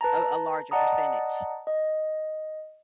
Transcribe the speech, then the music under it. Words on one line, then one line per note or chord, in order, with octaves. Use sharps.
a a larger percentage.
B4 A5 A#5
D5 D#5 F#5 A5 A#5 D#6
D#5